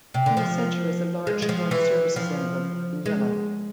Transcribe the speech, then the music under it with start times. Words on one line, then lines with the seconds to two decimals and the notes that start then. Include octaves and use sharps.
In the centre is a large joint services emblem in yellow.
0.14 C3
0.26 D3
0.37 F3
1.27 G#3
1.42 G#3
1.49 F3
1.71 E3
2.16 F3
3.06 G#3